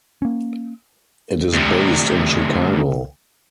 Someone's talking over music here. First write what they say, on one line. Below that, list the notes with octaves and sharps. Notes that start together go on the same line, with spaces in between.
It is based in Chicago.
A#3 C#4
D2 C3